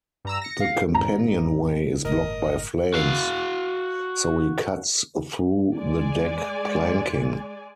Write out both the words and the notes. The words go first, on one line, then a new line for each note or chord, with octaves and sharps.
The companionway is blocked by flames, so he cuts through the deck planking.
G2 A#5 E6
A#6 C#7
F5
G#1 A#5
G1 A2 A#4 D#5
F#4 F5
G#3 D5 G#5